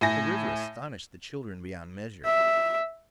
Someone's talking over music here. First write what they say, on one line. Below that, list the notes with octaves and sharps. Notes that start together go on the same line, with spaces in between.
The river astonished the children beyond measure.
A2 G#5 A#6
E5